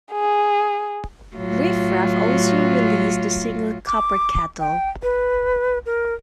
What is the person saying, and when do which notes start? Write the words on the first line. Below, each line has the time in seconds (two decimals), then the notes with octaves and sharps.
Riff Raff also released the single "Copper Kettle".
0.12 G#4
1.36 A2 F#3 F4
3.87 D6
4.60 G5
5.03 B4
5.86 A#4